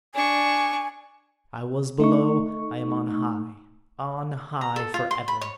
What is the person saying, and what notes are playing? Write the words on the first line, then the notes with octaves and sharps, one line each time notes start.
I was below, I am on high--on high for ever!
D4 G#5 C#6
A3 D#4 C#6
A#5
A4
F4
C6
B5
C#5